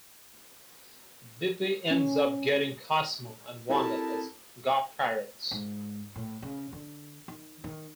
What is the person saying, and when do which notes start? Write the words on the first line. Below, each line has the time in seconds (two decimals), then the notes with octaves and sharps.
Bippy ends up getting Cosmo and Wanda as godparents.
1.91 C#4
3.69 F#3 C4 D#4 E4 G4 A4 A#4 A5
5.51 G#2
6.16 A2
6.42 C#3
6.73 D3
7.28 D#3
7.64 D#3